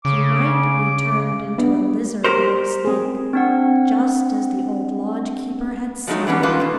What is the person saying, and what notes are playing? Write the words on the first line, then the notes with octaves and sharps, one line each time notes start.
She might be turned into a lizard or a snake, just as the old lodge-keeper had said.
C#3 D6
B3 D4
G4 A#4 C5
C4 G#4
C4 D4 F#5
F3 F#3 G#3 A3 D#4
E3 G3 B3 C#4
E3 C#4 D#4 F4 A4 B4
B2 A3